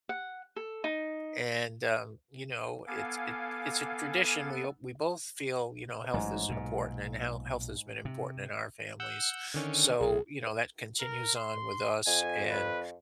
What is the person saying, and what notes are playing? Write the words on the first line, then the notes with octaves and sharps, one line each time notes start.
and, um, you know, it's it it's a tradition we o we both feel, you know, health is important and how health has been important in our families. So, you know, that continues on with us, and,
F#5
A4
D#4
B3 A4 F5 G#5 D6
A1 G#2 F#3
B1 A#2
C3
F#5 E6 G6
D3 D#3 C#4
B1 G#4
A#4
C6
F2 G#5
B4